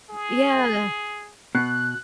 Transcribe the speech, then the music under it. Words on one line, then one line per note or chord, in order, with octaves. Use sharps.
Oh, yeah.
G#4
B2 F#6